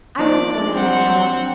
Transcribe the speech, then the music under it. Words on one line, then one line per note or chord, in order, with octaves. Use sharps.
I was born in that house.
F3 A#3 D4 D5
C4 F#5